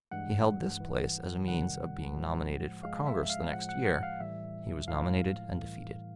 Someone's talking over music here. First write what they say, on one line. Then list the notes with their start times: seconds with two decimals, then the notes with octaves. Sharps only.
He held this place as a means of being nominated for Congress the next year; he was nominated and defeated.
0.11 G2 E3 G#3 F#5
0.80 G#2 E3 G3
1.48 F2 C3 D#3 G3 F#5
2.16 A2 F3 G#3
2.83 G#2 F3 G#3 F5
3.07 E5
3.30 F5
3.52 A2 F3 G#3 F#5
3.69 F#5
3.86 F#5
4.03 F5
4.20 A2 E3 G3 E5
4.88 A2 F3 G#3 F5
5.56 A2 E3 G3